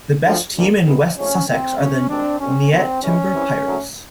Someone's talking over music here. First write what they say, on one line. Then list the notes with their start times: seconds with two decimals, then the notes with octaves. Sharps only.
The best team in West Sussex are the Nyetimber Pirates.
0.24 D2 D3 F3
0.55 D2 D3 F3 A#3
0.86 F#2 D#3 G#3 B3
1.17 A#1 G#2 F3 A3 C#4
1.47 C2 B2 G3 A#3 C4
1.78 A1 G2 D3 F#3 C#4
2.09 G#1 G2 D#3 G#3 C4 D4
2.40 G#1 F#2 D3 G3 C4 C#4
2.71 D#2 D3 F#3 B3 C4
3.01 G2 E3 G#3 C#4
3.33 C2 C3 E3
3.63 G#1 F#2 D3 F#3 A3